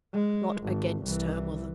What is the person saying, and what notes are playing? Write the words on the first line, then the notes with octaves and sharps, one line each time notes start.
'Not against her, mother!
G#3
G#1
C2 E3